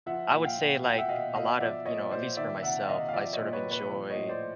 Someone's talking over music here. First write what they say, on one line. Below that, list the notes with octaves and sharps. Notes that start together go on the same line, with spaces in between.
I would say, like, a lot of you know, at least for myself, I sort of enjoy
F3 E5 F#5
A#2
F5 G5
A#2
B2 F#5
G5
E5 F#5
B2 D#5 F5
B2 D#5 F5
F3 D5 E5
A#2 C#5 D#5
A#2 C5 D5
D#3 D5 E5
C3 E5 F#5
C3 D#5 F5
F5
F3 D5 E5
C#5 D#5
A#2
B4 C#5
A#2
B4 C#5
F3
C#5 D#5
A2
C5 D5